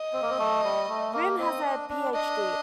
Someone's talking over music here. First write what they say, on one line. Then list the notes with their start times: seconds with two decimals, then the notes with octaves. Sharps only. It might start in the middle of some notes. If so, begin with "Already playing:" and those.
Rimm has a PhD.
Already playing: D#5
0.13 C4
0.22 A#3
0.30 C4
0.39 A3
0.64 G3
0.89 A3
1.13 A#3
1.39 C4 D#5
1.65 D4
1.89 D4
2.14 D4 D#5